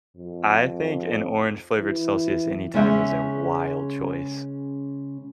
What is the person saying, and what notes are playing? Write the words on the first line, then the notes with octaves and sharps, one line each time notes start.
I think an orange-flavored Celsius anytime is a wild choice.
F2
E3
C#3 G#3 C#4 G#4 E5